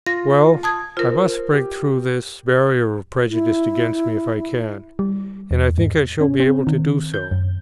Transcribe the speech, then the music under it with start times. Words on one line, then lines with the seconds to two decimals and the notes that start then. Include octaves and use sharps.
Well, I must break through this barrier of prejudice against me if I can; and I think I shall be able to do so.
0.06 F4 A#6
0.63 A5 D#6 G#6
0.97 F4 A#4 C5
1.54 G4
3.28 E4
4.99 G3
5.51 E2
5.78 G#2
6.21 C#4
6.40 C4
6.67 D#3
7.14 G6
7.31 F#2